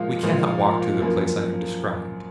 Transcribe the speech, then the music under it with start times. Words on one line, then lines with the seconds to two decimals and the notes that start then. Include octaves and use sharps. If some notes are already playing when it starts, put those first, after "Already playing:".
We cannot walk to the place I have described.
Already playing: A#2 F3 G#3 F5
0.23 A#2 F3 G#3
1.01 F#2 F3 A#3